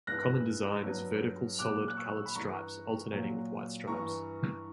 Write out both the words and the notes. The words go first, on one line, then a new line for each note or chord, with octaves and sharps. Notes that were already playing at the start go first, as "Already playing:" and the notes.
A common design is vertical solid colored stripes alternating with white stripes.
G2 E3 F#6 A#6
G2 F#3
A#2 F#3 D6 F#6
F#6
C#6 E6
B5
G2 E3 A#5 C#6
A#2 F#3
G2 E3 A#5 C#6